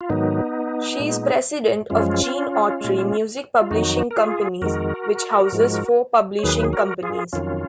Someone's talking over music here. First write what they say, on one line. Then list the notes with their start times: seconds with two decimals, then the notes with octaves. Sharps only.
She is President of Gene Autry Music Publishing Companies which houses four publishing companies.
0.01 F4
0.09 G#2 D#3 F#3 B3 D#4
0.99 A#2 G#3
1.90 F#2 F3 G#3 C#4 F4
2.81 A#2 G#3
3.61 F4
3.71 F2 D#3 F#3 D#4 F#4
4.11 A#4
4.17 F4 G#4
4.61 F2 D#3 G#3 F#4 A#4
5.52 G#2 F3 G#3
6.39 C#5
6.43 D#2 D#3 F#3 G#4 B4
6.64 G#4
6.73 F#4 A#4
7.03 F4 G#4
7.33 F2 D#3 F#3 C#4 F4